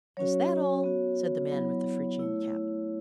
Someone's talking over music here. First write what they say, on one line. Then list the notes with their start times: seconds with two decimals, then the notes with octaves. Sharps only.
"Is that all?" said the man with the phrygian cap.
0.17 F#3 C#4 F#4 C#5
0.84 B3 F#4
1.52 F#3 B3 E4
2.19 A3 E4